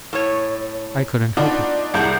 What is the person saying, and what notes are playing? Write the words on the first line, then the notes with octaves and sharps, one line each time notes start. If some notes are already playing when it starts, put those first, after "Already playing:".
I couldn't help it.
A2 C#5
A3 B3 D4 D#4 F4
C2 D4 G#4 F#5 G6